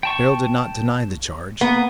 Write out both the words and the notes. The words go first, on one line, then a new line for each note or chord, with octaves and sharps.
Beryl did not deny the charge.
G5 A5 C#6
A#3 B3